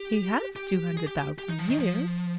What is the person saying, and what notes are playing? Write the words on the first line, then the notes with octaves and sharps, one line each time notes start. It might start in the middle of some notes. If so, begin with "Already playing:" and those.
He has two hundred thousand a year.
Already playing: G4
G4
G#4
G4
G4
G4
D#4
F3
D#3
F3